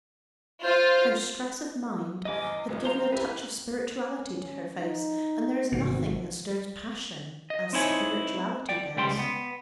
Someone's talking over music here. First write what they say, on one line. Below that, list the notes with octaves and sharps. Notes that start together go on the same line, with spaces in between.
Her stress of mind had given a touch of spirituality to her face, and there is nothing that stirs passion as spirituality does.
F4 C5
F#1 G2 D#5 G#5 D6
E2
C2 F3
F4 C5 A#5
E4 G4 B4
C#4
D#4
G#1 C3 E3 F#4
D#5
C4 D#4 E4 C#5 G#5
D5 G5
C#2 G3 G5 C6
B3